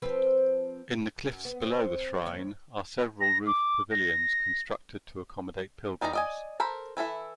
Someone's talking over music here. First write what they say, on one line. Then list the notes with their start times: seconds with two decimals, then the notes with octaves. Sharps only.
In the cliffs below the shrine are several roofed pavilions constructed to accommodate pilgrims.
0.02 F3 C4 B4
1.32 F#2
1.45 B3
1.61 C4
2.25 D#2 C#5
3.21 A#6
3.47 D6
3.91 A#6
6.01 G3 D#4 D5 D#5 A#5
6.13 D5 D#5 G#5
6.60 A4 A#4 C5 B5
6.97 E3 E4 A4 E5